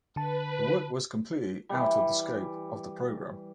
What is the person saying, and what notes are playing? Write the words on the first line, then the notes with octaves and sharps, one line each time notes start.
The work was completely out of the scope of the program.
D3 B4 A5
E3 G3